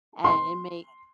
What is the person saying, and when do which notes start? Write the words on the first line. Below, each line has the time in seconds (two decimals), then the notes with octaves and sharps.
And it make
0.24 C6